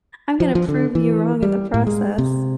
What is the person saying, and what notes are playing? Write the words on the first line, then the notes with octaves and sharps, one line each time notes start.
I'm gonna prove you wrong in the process."
F3
F3
D3
E3
G3
A2
G#3
C3